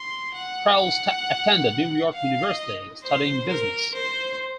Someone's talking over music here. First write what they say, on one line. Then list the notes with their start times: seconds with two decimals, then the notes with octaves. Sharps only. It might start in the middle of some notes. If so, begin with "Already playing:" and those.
Prall attended New York University, studying business.
Already playing: C6
0.35 F#5
0.78 F#5
2.13 F5
2.43 D#5
3.04 C5
3.48 A#4
3.94 C5